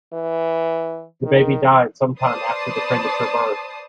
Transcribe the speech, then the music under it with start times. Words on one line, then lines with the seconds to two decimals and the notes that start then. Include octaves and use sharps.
The baby died some time after the premature birth.
0.13 E3
1.25 D#3
2.19 B4 C5 D5 A5 D#6 C7